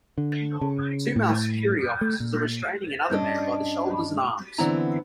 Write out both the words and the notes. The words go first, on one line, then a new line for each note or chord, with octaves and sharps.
Two male security officers are restraining another man by the shoulders and arms.
D3
C#3
A2
A3
A#2
G2 C#4 D4 D#5
D3 E3 B3 C4 E4 A#5